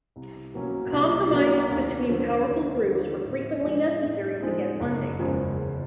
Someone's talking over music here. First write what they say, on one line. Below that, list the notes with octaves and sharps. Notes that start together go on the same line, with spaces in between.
Compromises between powerful groups were frequently necessary to get funding.
C2
B2 F#3 A#3 C#4
C2
B2 F#3 A#3 C#4
D#2
D3 F3
D#2
D3 F3
A2
F3 G#3 C4 D#4
A2
F3 G#3 C4 D#4
F#1
E2 C#3 F3 G#3
F#1